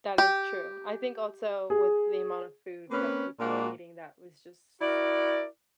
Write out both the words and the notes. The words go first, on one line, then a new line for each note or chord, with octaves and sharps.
That is true. I think, also, with the amount of food that people were eating, that was just s
G4
G#4
A#3 C4 C#4 B4
A#2 G#3 A#3 D4 F#4
E4 F#4 A#4 D5